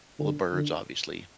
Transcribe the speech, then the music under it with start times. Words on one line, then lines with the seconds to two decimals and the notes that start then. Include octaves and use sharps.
well the birds, obviously,
0.19 D3
0.53 D3